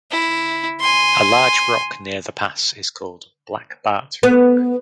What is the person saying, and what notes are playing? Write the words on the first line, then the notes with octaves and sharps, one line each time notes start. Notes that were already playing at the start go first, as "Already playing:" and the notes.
A large rock near the pass is called Black Bart Rock.
E4
G#5 C6
B3